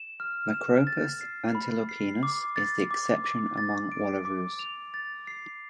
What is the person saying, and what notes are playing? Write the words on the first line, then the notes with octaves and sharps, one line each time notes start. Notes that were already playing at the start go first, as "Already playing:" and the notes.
"Macropus antilopinus" is the exception among wallaroos.
Already playing: E7
F6
E7
A6
C7
B5
C7
D6
A6
D6
D6
A6
D7
D6
F7
A6
C7